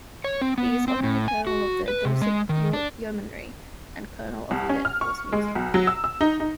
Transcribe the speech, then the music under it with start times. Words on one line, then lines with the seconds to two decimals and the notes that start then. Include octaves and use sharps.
He is Honorary Colonel of the Dorset Yeomanry, and Colonel of Cadet Force Music.
0.24 C#5
0.41 C4
0.58 B3
0.88 C4
1.03 A2
1.28 G#5
1.47 F#4
1.88 B4
2.05 C3
2.22 G#3
2.49 D#3
2.73 D4
4.51 C2
4.69 C#4
4.85 F6
5.01 C#6
5.32 G#3
5.55 B1
5.74 F#3
5.87 E6
6.04 E6
6.21 D#4
6.40 D#4